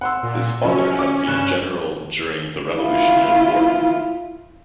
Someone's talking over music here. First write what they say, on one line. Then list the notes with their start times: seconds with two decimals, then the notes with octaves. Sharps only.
His father had been a general during the Revolutionary War.
0.01 F#5 C6 E6
0.23 A#2
0.64 F3 F#3 C#4
0.99 D6
1.27 G2 F#6 E7
2.79 E4 F4